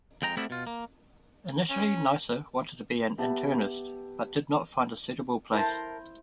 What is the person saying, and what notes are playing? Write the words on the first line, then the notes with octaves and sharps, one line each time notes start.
Initially Neisser wanted to be an internist, but did not find a suitable place.
F2 G#3 G5 A#5
G3 A3 B3 C4 E4 F#4
B2 F4
A#3
C#4
B3 G4 E5 A5
E4 A#4 C5 A5